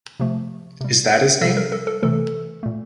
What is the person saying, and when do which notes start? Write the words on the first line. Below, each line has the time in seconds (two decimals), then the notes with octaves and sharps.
Is that his name?
0.20 C3 F3 A3
0.81 C3 G3
1.41 C3 G3 A4
1.57 A#4
1.72 A4
1.87 A4
2.02 C3 E3 A3 A4
2.63 A#2 A3